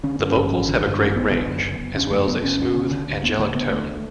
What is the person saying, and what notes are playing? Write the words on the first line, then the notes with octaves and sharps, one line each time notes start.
The vocals have a great range, as well as a smooth, angelic tone.
D3 C#4
G2 C#4
A1
A1
D3
G2
A1 C#4
A1 B3
D3 B3
F#2
F#1
F#1
D3 C#4
F#2 A3
F#1 B3
F#1 C#4
D2
D3
D3
D2
D2 B3
D3 A3
D3 B3
D2 A3